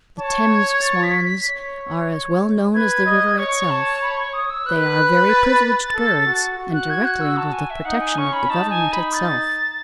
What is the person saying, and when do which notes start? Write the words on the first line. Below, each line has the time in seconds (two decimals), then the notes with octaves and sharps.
The Thames swans are as well known as the river itself. They are very privileged birds and directly under the protection of the government itself.
0.18 C#5 A5
0.50 G#6
0.73 G#6
0.82 A6
1.03 B6
1.25 B6
1.46 C#5
2.74 B4 G#6
3.06 D#5
3.38 C#5 C#6
3.70 A5
4.02 B5
4.17 C#6
4.33 D#6
4.50 E6
4.66 B4 F#6
5.29 A6
5.62 A6
5.94 A4
6.26 F#4
6.58 F#4
6.74 F#6
6.90 G#6
7.05 F#6
7.21 E6
7.37 A5
7.53 G#5
7.70 E5
7.85 D#4 F#5
8.01 G#5
8.17 C#4 C#6
8.33 B5
8.50 D#4 A5
8.70 G#5
8.92 B5
9.13 A6